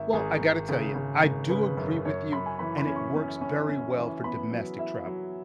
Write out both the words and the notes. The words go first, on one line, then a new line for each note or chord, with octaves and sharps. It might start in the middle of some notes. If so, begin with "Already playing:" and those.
Well, I gotta tell you, I do agree with you, and it works very well for domestic travel,
Already playing: G#1 E5
G#1 G#4
G#1
C#3
C#3
G#1
C#3 B4
F#2
F#2 C#5
F#2 B5
G#5
E3 B5
B5
C#4
C#6
C#4
C#4
C#4
E3
B3 B5
F#3
E4 E5
F#3